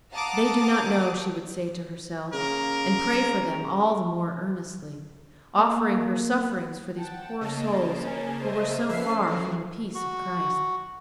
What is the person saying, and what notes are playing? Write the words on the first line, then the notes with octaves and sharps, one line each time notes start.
"They do not know," she would say to herself, and pray for them all the more earnestly, offering her sufferings for these poor souls who were so far from the peace of Christ.
F5 F#5 A5 A#5 D6 D#6
C#3 A#3 A#4
A#3
F#5 G5 A5
C#3 A#3 D#5 A5
C#4 A#4
C5 D#5 E5
F3 C#4 A4 B4 E5 C7
F3 F#3
F#4